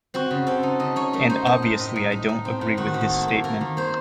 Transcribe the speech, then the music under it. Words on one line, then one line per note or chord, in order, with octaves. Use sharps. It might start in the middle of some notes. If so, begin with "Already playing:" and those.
And obviously I don't agree with his statement.
C4 F#4
C#3
C4 A4
D#4
C#3 D#5
D#4 C#5
A3 A#4
D#4 C5
D#4 D#5
A2
A2 D#5
D#4
D#4
D#4
C4
A2
D#3 F#4
D#3
A4
A#3
A4
A#3
A#3 A#4
D#3
A#3 C5